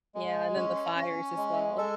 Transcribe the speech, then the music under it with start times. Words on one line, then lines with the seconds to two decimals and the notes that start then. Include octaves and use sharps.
Yeah, and then the fires as well.
0.15 G#3
0.56 C#4
0.97 C#4
1.37 G#3
1.78 G#3 A4